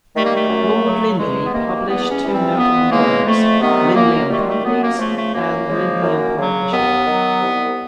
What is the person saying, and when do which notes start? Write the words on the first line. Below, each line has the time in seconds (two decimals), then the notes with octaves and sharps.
Lord Lindley published two notable works, "Lindley on Companies" and "Lindley on Partnership".
0.14 D#3 G3 A3
0.25 A#3
0.35 A3
0.49 F#2
0.83 C#3 F#3
1.18 E2 G#3
1.44 B3
1.52 C3 D#3 A#3
1.87 E2 B3
2.10 C#4
2.22 C3 E3 G3
2.33 C4
2.57 F2 B3
2.91 C#3 E3 G#3 A#3
3.25 F2 A3
3.60 C3 D#3 F#3 B3
3.95 F#2 A#3
4.29 D#3 G3 A3
4.37 G#3
4.47 A3
4.64 F#2 B3
4.82 A#3
4.99 C#3 F3 A3
5.16 A3
5.33 F#2 A#3
5.69 C#3 F3 G#3
6.02 F#2
6.37 C#3 F#3
6.72 D#2 B3
7.07 D#3 F#3
7.41 C2